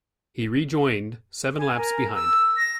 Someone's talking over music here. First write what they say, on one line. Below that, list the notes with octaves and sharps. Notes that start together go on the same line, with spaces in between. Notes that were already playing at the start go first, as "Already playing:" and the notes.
He rejoined seven laps behind.
G#5
A#4
E6
A#6